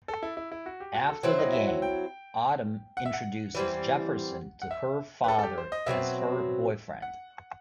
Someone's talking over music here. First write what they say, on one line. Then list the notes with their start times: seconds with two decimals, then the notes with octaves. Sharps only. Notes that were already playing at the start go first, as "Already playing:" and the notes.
After the game Autumn introduces Jefferson to her father as her boyfriend.
0.08 A4
0.23 E4
0.37 E4
0.52 E4
0.66 F#4
0.80 G4
0.95 F#4
1.09 A4
1.23 F#3 C4 E4 C5
1.38 D#5
1.53 E5
1.67 F#5
1.82 G5
2.97 F#5
3.06 E5
3.13 F#5
3.55 E3 G3 C4
4.62 F#5
4.71 E5
5.24 B4
5.28 A4
5.39 A4
5.43 G4
5.58 C5
5.72 D#5
5.86 B2 F#3 A3 C4 E5
7.02 F#5